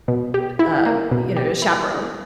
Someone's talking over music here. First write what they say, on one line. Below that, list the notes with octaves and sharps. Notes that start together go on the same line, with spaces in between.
um, you know, a chaperone.
B2
G4
E4
A#3
B2
G4
E4